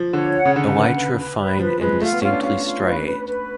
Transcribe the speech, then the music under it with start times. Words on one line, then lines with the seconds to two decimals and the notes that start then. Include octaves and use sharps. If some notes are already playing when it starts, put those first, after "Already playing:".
Elytra fine and distinctly striate.
Already playing: F3
0.13 D3 C#5
0.35 F#5
0.45 C#3
0.55 D3 F#5
0.66 C#3
0.76 D3 B4
0.97 B4
1.18 B4
1.38 B4
1.59 F3 B4
1.81 G#3 B4
2.01 A3 F4
2.13 B3
2.22 C#4 F4
2.33 D4
2.43 C#4 F4
2.64 F4
2.85 B4
3.06 B4
3.27 B4